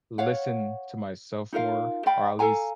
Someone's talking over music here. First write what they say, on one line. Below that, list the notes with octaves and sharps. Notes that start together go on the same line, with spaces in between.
listen to myself more, or at least
C#5 F5 F#5
D#4 F4 A#4 F5
D5 F5 G5 B5
A4 F5 G#5 A#5